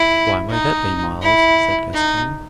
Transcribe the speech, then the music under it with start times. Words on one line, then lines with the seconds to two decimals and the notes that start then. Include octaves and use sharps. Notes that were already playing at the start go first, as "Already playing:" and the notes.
"Why may that be, Myles?" said Gascoyne.
Already playing: E4
0.50 D#4
1.22 E4
1.94 D#4